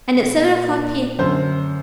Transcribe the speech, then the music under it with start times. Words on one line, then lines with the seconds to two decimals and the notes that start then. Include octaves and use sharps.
And at seven o'clock P.m.
0.14 A#2
1.19 F#2 D3 C5